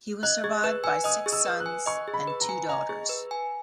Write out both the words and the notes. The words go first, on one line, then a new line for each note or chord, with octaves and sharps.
He was survived by six sons and two daughters.
D#5 F#6
G#4 G#6
B4 F#6
G#5 E6
D#5 D#6
G#4
E6
B4
F#6
G#5
D#5 C#6
G#4
B5
B4
A#5
G#5
D#5 A#5
G#4
B4
G#5